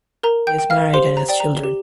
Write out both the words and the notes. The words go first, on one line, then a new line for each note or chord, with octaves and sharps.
He is married and has children.
A#4 A#5
G5 G6
G5
F5 F6
G4 C5 C6
A#5
D5 G5
A#5
G4